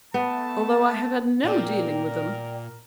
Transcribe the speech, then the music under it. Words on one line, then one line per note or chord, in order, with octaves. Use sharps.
Although I have had no dealing with them.
A3 B3 A5
A#2 A#4 D5 G5